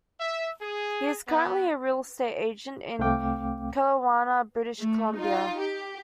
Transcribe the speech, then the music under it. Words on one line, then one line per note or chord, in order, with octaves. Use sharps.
He is currently a real estate agent in Kelowna, British Columbia.
E5
G#4
B3
C2 A3 C4 F5 G5 D6
A3
D#4 F4
G4